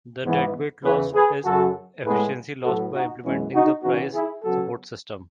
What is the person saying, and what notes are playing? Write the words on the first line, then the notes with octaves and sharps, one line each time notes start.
The deadweight loss is the efficiency lost by implementing the price-support system.
G#2 E3 B3
E2 C#3 E3 B3 G#4 B4
G#4 B4
F#2 C#3 F#3 F#4 A4
A2 G#3 B3 G#4 B4
A2 F#3 B3 F#4 A4
D#4 F#4
F#2 E3 G#3 B3 C#4 E4
D#4 F#4
C#3 E3 B3 D#4 F#4
E4 G#4
C#3 F#3 B3 F#4 A4